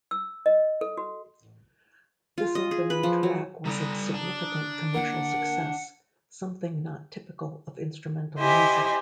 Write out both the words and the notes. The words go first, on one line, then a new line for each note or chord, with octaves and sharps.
This opening track was a significant commercial success, something not typical of instrumental music.
E6
D#5
A4
F#4
F4
D#5
G#4
B4
F3
F#3
C#3 G3 A4 D5 A#5 D#6
D4
D3 A#3 A#4 F#5
E4 G4 C5 D#5 G#5